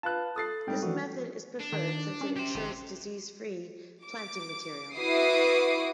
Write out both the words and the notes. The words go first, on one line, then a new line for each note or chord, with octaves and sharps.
This method is preferred since it ensures disease-free planting material.
F4 B4 A5 F#6
A4 D#6 A6 C7
G#2 G3 C4 G5
E3 F3 A3 D4 F#4
D4
D#3
C#4
G4 C5
G#1
D6
E4 F#4 B4 D6 D#6 C7